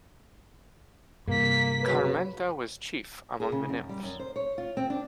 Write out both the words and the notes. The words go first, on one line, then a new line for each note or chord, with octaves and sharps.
Carmenta was chief among the nymphs.
G2 C3 A#3 B6
C#3 F#3 B4
G#4
C#3
F#2
G3
F#2
C5
C#5
F4
C4
D4